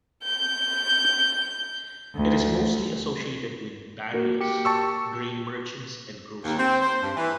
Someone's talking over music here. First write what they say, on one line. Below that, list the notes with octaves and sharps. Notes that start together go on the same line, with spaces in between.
It is mostly associated with Baniyas, Grain merchants and Grocers.
G6
D2
A#3 F#4
G4 C#7
A5 C#6 E6
D#2
C4
C5
G2
E3